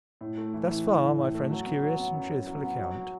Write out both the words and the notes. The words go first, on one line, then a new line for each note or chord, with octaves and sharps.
Thus far my friend's curious and truthful account.
A2
A3
E3
E3
E3
A2
A2
A3
F#3
B3
F#3
B3
F#2
F#2
F#3
B3
F#3
F#3